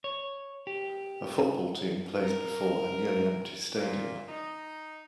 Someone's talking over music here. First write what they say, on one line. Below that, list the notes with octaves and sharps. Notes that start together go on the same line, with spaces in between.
A football team plays before a nearlyempty stadium.
C#5
G4
A#4
A#2
D#4